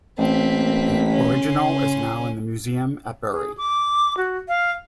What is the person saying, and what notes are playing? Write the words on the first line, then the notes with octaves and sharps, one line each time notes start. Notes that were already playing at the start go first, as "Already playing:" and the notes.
The original is now in the museum at Bury.
A1 A#3 C4 B6
C#3 C#4 C6
G#4
D6
F#4
F5